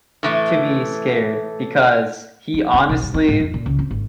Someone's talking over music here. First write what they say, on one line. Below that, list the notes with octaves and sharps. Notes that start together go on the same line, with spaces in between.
to be scared because he honestly
A2 E3 A3
F3
C4
B1
G2
C4
G#2
F2
A#2
C#2
C4
G#1